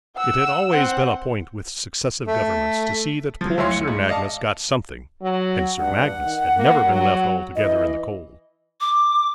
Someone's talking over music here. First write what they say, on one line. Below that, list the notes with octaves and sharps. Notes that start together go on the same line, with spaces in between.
It had always been a point with successive governments to see that poor Sir Magnus got something, and Sir Magnus had never been left altogether in the cold.
F#5 E6
C4 F#5
A3
F3 F#3
D2 F#3 E4 C#5 F5 C6
C#7
G#2
D5 D#5 F5 A5
F#3
G2 F#5
D#3
A#3
F#3
E3 D#5
D6